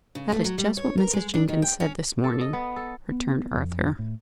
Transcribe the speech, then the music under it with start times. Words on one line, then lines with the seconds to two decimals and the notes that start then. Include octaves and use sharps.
"That is just what Mrs. Jenkins said this morning," returned Arthur.
0.15 C#3
0.32 A3
0.44 F#3
0.58 G3
0.77 C#5
0.98 A#4
1.13 G#3
1.34 D4
1.48 D#3
1.62 G5
1.80 C#4
2.24 A4
2.41 D#5
2.53 B3
2.76 A4
3.12 B3
3.56 F2
3.99 A2